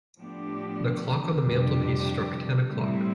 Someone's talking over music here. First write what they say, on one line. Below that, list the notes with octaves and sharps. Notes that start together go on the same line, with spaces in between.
The clock on the mantelpiece struck ten o’clock.
A2 F3 B3 D4 G4
F2 C3 G3 D4 G4
A2 G3 C4 E4